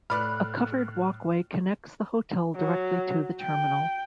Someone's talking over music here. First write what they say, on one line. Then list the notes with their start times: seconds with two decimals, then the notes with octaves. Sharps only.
A covered walkway connects the hotel directly to the terminal.
0.10 A2 B4 D5 B5 F6 F#6
2.56 F#3
3.41 G5